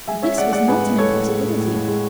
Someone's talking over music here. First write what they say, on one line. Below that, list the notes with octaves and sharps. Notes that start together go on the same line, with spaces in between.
And this was not an impossibility.
G#3 E5 G#5
C#4 C#5 E5
G#3 D5 F#5
G#3 D5 F#5
A2 G#4 B4
G#3
A2 A4 C#5
A2
G#3
A2
A2
A2
G#3